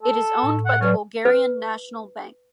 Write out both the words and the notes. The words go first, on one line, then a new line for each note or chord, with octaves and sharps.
It is owned by the Bulgarian National Bank.
A4
A2
F#5
F#3 C#4 B4 D5
B4